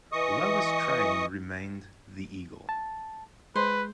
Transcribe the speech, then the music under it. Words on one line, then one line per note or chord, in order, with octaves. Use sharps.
Louis train remained the "Eagle".
E3 D#5 C#6 D#6
A5
G#3 B4 C5